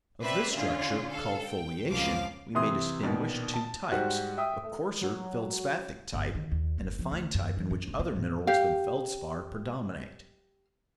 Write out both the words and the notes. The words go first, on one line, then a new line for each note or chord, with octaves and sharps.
Of this structure, called FOLIATION, we may distinguish two types,--a coarser feldspathic type, and a fine type in which other minerals than feldspar predominate.
C4 B4 D5 E5
D3 C#4 F4
A4 F5
G5
C#2 F3 F5 D6
C3 E3 C6 D#6
A#1 B2 D#3
A5
G#2 G3 F#4 C5
E5 G5 D#6
A3
F#3
G1
D#3
D#2
F#1
F3
D2
F#2
E3
F#2
E1
B3
A2
G4 F5